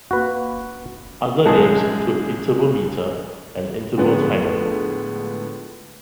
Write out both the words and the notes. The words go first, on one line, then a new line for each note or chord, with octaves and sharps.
Other names include interval meter and interval timer.
A#3 F#4 B4
A#1 F#2 G#3 G#4 A5
A2 D3 F3 G#3 B3